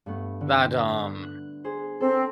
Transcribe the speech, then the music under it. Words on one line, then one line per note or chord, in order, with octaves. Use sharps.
but, um,
G2 A3 B3
D3
F#6
G#4 C5
C4 A4